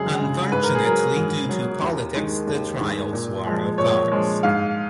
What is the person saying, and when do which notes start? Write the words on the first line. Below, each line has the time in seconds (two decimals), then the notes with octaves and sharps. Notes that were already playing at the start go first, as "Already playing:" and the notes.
Unfortunately due to politics the trials were a farce.
Already playing: F#2 C#3 G#3 G#4
0.18 C#3 G#3
0.52 G#2 B4
0.63 A#4
0.75 G#4
0.84 F#3 A#4
1.16 G#2
1.49 F#3
1.82 D#2
2.15 D#3 G#3
2.47 D#2
2.81 D#3 G#3
3.13 A#2
3.46 F3 G#3
3.78 A#2 C#5
4.12 F3 G#3
4.43 G#2 F5